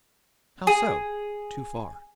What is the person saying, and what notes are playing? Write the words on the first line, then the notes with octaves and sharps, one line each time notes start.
"How so--too far?"
G#4